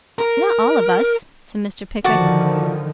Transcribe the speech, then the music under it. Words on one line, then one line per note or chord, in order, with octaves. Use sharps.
'Not all of us,' said Mr. Pickwick.
A#4
D3 D#3 F3 F#4 D5 A5